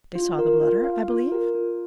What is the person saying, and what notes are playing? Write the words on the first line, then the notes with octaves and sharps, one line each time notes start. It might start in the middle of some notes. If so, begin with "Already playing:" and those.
"They saw the letter, I believe?"
F4
A#4
F4
F5
F4
A#4
F4